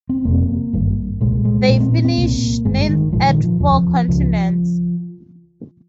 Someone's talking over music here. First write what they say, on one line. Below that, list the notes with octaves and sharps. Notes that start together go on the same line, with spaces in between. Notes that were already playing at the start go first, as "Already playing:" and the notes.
They finished ninth at Four Continents.
C4
F1 F2 C3 A#3
G#1 G2
C2 A#2 G#3
G#3
A#1 A#2 A#3
C4
C4
C4
C2 A#2 A#3
G#1 G2 G#3
D#3
A#1 G#2 F3
D#3
F3
F1 D#2 C#3 F3
C#2 C#3 F3